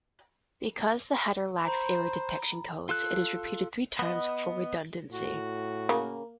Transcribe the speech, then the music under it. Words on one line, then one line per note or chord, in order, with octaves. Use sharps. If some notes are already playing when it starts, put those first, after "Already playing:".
Because the header lacks error detection codes, it is repeated three times for redundancy.
C5 A#5 B5
F4 A4 F#6
B3 D#5
A2 F#4
C#3 A#3